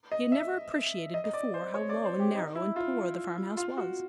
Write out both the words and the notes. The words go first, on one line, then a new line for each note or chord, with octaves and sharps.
He had never appreciated before how low and narrow and poor the farm-house was.
D#5
E5
D#5
D#5
D5
C5
C#5
D5
C5
G4
D#4
E4
F4
F4
F#4